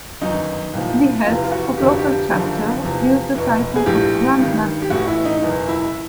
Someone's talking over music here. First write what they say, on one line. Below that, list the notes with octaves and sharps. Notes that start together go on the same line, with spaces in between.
The heads of local chapters use the title of "Grand Master".
G1 F#2 D#3 D#4
C2 A#2 F3
F1 E2 C3 E3 F4
F4
F#4
F1 F2 D3 F3 G4
F#4
G4
F#1 F#2 D3 F3
E2 C3 F3
F1 E2 B2
G#4
A#1 A2 E3 G4
G#1 G2 D#3
G4
A1 A2 E3 F#4
E4
D#4
F#1 E2 B2
E4